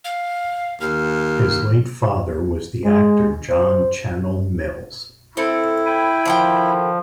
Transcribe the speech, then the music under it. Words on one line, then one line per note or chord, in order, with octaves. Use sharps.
His late father was the actor John Channell Mills.
F5
D#2 F6
G#3
C5
C4 E4 A4
G5 G#5 B5
D3 D#3 F3 G5